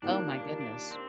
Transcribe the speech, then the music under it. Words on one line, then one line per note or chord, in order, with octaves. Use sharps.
Oh my goodness.
D#2 D#3 A#3 D4 F4
D4
D4
C4